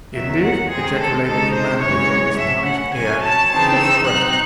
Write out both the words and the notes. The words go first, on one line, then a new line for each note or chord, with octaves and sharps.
"Indeed!" ejaculated the man with an astonished air, "that's strange!"
E2 D#3 F#3 E5
F#5
F#2 D#3 G#3 C4 G#4
A4
C#3 G#3 D#4 A4
C5
F#2 C#3 E3 G#3 C#5
A2 F#3 C#4 E5
F#5
C3 F#3 C#4 G#5
A5
C#3 E3 C4 D#4 A5
E6
C3 F#3 C4 D#4 F#6